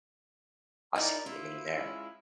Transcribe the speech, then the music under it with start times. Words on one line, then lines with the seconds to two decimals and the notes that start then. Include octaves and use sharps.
I see what you mean there.
0.96 D#4 E4 A#4 D5
1.26 E4 F4
1.75 G#3 C#4 E4